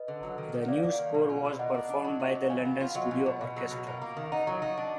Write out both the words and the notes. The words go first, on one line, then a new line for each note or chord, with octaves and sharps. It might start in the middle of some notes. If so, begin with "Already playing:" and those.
The new score was performed by the London Studio Orchestra.
Already playing: B4 D#5
D3
F#3
D#3
D#3
F#5
A#3 D5 F5
A#3
D#3
B2
F4
B2
A#3 D#5 F#5
D4
D4
F#3
F#3
B3
F#3 F5 G#5
B3
F4
F#3 D#5 F#5
B2
B2
B2
F#3
B2
A#3
A#3
D#3
D#4 D#5 F#5
F#3
D#4
D4